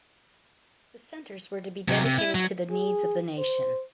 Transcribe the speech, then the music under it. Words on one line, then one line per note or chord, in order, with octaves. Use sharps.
The centres were to be dedicated to the needs of the nation.
C3 F#3
C3
E4
F#3
G#4
C5